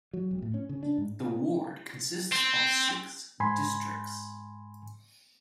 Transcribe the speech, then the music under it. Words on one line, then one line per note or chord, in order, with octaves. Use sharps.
The ward consists of six districts.
F#3
E1
A2
C#4
C#3
D4
G#2
C4
G#2 G#5 B5 C6